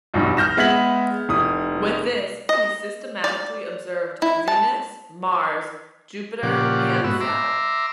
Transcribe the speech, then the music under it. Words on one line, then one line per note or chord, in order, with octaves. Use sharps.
With this he systematically observed Venus, Mars, Jupiter and Saturn.
B1 E2 G2 B2 E3 F#3
F6 G6 A#6 E7
G#3 B3 E5 G#6 B6 F#7
F1 E4 D#6
D#5
D5
E4
A5
A#2 C#3 F3 G4 D5 F#5
G#2 B3 F#4 E6
E5 A#5 C6 D6 E6